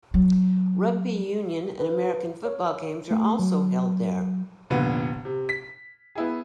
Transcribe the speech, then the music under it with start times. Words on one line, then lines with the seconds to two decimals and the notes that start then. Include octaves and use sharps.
Rugby union and American football games are also held there.
0.14 F#3
1.79 B4
2.45 C#5
3.11 A3
3.39 F#3
4.70 F1 A#2 D3 B3
5.25 C3
5.49 B6
6.15 B3 E4 G#4